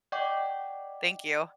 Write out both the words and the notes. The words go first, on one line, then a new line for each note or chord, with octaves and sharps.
Thank you.
D5 D#5 F#5 G5 C#6 D6